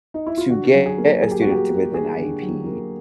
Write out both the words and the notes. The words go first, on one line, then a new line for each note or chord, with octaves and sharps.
To get a student with an IEP,
D#4
E4
F4
D3 F#4
F#3
G#4
A#3
F#3 G#4
G4
F#4
A#3 G4
A#3
A#3 G#4
D3
F#3
A#3